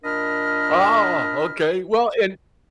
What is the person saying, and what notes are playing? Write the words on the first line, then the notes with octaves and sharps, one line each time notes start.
Oh, okay, well and
A#2 D4 A#4 D#5 B5 F6